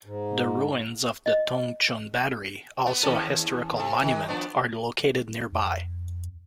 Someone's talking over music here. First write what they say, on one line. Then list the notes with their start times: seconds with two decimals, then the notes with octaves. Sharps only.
The ruins of the Tung Chung Battery, also a historical monument, are located nearby.
0.05 G#2
1.26 D#5
2.86 B3
3.03 D#2 C#4 A4
3.77 C3 A4
4.02 D#3 G#3
4.28 F3 B3 D4
5.52 F2